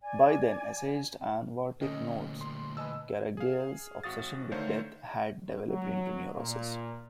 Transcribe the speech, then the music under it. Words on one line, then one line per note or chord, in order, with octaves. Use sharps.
By then, essayist Ion Vartic notes, Caragiale's obsession with death had developed into "neurosis".
D5 G#5
D2 A#2 C#4 A4 D#5 G5
C6
B4 D#5 G#5 A5 E6
G#4 F5
G#1 F#4 F5 D#6 A6
D3 D#3 A3 C5 C#5 F5
F#3
A#2